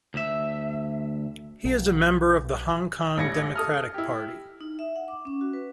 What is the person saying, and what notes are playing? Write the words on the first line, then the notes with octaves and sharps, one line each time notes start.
He is a member of the Hong Kong Democratic Party.
D2 E5
B1
A1 G2 G#6 A#6 C#7
A4 D#6 F6
E4 G4
D#4
E5
F#5
D6
C#4
F#4
B4